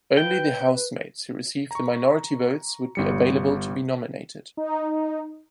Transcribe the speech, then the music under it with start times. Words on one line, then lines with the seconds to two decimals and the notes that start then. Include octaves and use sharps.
Only the housemates who received the minority votes would be available to be nominated.
0.17 B4 G5
1.71 A#5 C#6
2.95 G1 G3 C#7
4.57 D#4